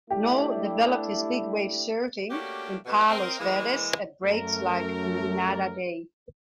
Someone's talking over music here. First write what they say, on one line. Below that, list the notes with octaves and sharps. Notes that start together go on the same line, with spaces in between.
Noll developed his big wave surfing in Palos Verdes at breaks like Lunada Bay.
A3 D4 E4 G4
A3 A#3 C#4 D4 F#4 G4
F2 B2
C4 A#4 D#5
E3 G#3 A#3
F#2 A3 A#4